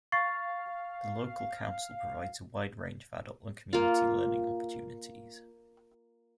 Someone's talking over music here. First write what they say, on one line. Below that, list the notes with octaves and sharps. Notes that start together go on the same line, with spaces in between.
The local Council provides a wide range of adult and community learning opportunities.
F5 C#6 A6 C7
A#3 F4